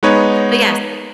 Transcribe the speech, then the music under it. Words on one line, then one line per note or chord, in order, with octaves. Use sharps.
But yes. Uh.
G#3 B3 D#4 B4 C#5